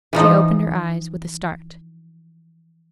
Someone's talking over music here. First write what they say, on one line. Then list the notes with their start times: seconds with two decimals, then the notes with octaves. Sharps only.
She opened her eyes with a start.
0.13 E3 F3 D#4